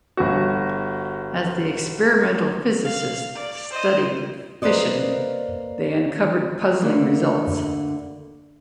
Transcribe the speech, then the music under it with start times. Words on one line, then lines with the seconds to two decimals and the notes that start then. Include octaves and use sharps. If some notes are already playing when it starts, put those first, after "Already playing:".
As the experimental physicists studied fission, they uncovered puzzling results.
0.17 G1 F#4
2.84 F5
3.35 D5
3.70 C5 D#5
4.62 A#3 B4 C5 D5 D#5
6.82 D2 D3 A#3